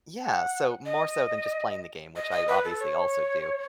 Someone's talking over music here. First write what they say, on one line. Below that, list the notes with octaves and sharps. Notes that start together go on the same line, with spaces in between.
Yeah, so more so than just playing the game, which I obviously also do.
A5
F#5
D#5
D#5
D#5
B4
A4
C#5